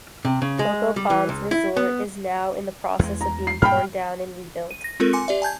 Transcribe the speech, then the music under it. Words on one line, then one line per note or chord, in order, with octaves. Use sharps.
Coco Palms resort is now in the process of being torn down and rebuilt.
C3
C#3
G#3
G3
E3
C#2
E4
B3
E2 G#3
A#5
C7
G2 A#2 G3 G5 B5 F6
D#7
A#6
G#3 C4 F4 A4 A#4
G#5 C6 D6 C#7
G4 D5 E5
G#5 A5 G6 G#6